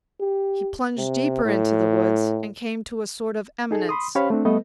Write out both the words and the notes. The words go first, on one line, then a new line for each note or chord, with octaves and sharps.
He plunged deeper into the woods and came to a sort of eminence.
G4
C3
A2
D#4 G#4 A4
B5 C6 D#6
C#4 G4 C5 C#5 F5 B5
A3 C4 D4
G3 A3 B3 A4 B4 D#5